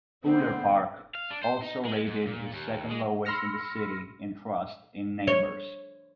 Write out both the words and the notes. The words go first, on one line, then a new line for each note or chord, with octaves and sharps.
Fuller Park also rated the second-lowest in the city in trust in neighbors.
D3 A3 B3 C4 C5
F5
D4
C5
D#4
G#3
G#2
A#2
D#2
G#3
B5 C6 E6 F6 A#6 C#7
C#5